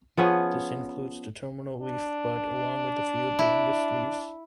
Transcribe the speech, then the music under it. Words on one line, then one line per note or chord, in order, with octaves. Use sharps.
This includes the terminal leaf bud along with a few of the youngest leaves.
F3 B3 C#4 G#4
D4
E4